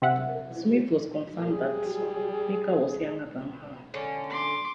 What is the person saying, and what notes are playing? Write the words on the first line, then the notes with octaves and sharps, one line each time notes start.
Smith was concerned that Meeker was younger than her.
C3 C4 E5 F#5
G3 G#4
D3 C#4
C6 D6